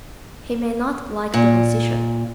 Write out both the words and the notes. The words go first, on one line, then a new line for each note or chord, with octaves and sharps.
He may not like the position.
A#2